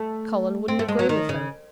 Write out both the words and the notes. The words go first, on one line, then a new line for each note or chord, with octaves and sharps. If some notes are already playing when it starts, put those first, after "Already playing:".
'Colin wouldn't agree with them.
Already playing: A3
C4
A3
G#3
F#3
D#3
C#3